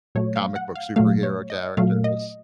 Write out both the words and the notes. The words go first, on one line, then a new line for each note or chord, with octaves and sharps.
comic book superhero characters.
A#2 F#3 A3 C#5
F5
F#5
F5
A#2 F#3 A3 F5
C#5
D#5
A#2 F#3 A3 F5
D#5